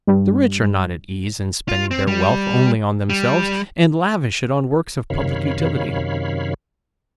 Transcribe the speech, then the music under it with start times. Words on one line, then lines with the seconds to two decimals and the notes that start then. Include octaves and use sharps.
The rich are not at ease in spending their wealth only on themselves, and lavish it on works of public utility.
0.07 G2
1.69 F4
1.91 C4
2.07 G3
3.10 G3
5.10 F#2 C3 D#3 C#5 F5 B5